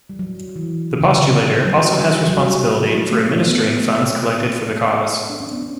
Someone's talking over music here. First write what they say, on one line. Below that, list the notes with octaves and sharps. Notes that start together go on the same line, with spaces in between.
The postulator also has responsibility for administering funds collected for the cause.
G3
F#3
E3
D3
C#3
D3
C#3
F#3
G3
F#3
G3
A3
B3
D4
C#4
B3
C#4